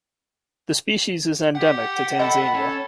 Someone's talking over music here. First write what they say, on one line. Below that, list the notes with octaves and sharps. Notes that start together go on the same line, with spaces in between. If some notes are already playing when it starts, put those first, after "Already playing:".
The species is endemic to Tanzania.
G4 F#5
A4 D#5 B5
C#4 A4